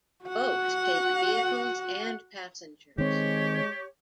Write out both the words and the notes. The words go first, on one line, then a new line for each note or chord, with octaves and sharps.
Both take vehicles and passengers.
F#4 F#5
D#3 G#3 C4 G4 C#5